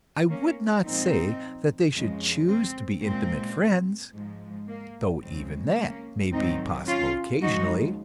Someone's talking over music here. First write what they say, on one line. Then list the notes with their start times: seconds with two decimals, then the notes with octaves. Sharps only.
I would not say that they should choose to be intimate friends--though even that may be possible occasionally.
0.29 A#3 C#4
0.84 A#2 F3 G#3 C4 D#4
1.94 F2 C#3 F3 G#3
2.49 C4
3.03 A#2 G#3 C4
4.13 G#2 F3 G#3
4.68 A#3
5.22 F2 C#3 G#3 C4
5.77 A#3 C#4
6.32 G#2 D#3 F#3 C4 D#4
6.87 C#4 F4
7.42 D#2 C#3 F3 G#3 D#4 F#4